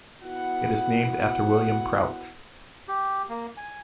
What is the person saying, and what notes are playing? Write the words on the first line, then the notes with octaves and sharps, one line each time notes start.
It is named after William Prout.
B3 E4 F#4 F#5
G4
A#3
G#5